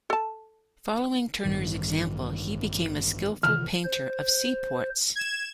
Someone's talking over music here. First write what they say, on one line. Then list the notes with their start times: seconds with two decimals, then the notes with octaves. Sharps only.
Following Turner's example, he became a skillful painter of seaports.
0.10 A4 A5
1.45 A1 G2 D#3
3.43 C3 D#3 E3 F6
3.84 C5
5.15 G#6 E7